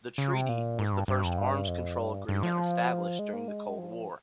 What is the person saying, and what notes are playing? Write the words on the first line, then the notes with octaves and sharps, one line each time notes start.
The treaty was the first arms control agreement established during the Cold War.
C#3
C3
A#2
G#2
G2
G2
F2
G2
F2
G2
G2
F3
G#3
A#3
G#3
F3